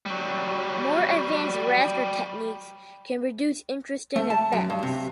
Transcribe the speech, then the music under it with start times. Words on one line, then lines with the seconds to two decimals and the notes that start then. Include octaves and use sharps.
More advanced raster techniques can produce interesting effects.
0.06 F#3 G3
4.16 A3
4.30 A5
4.52 F#2
4.70 G2
4.83 C3